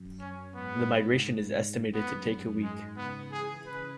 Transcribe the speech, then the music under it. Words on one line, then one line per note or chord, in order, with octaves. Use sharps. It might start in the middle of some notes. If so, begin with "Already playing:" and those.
The migration is estimated to take a week.
Already playing: F#2
C#4
G#2 B3
F#2 B3
G#2
G#2 G#3
C#3 B3
E3 G#4
C#3 B4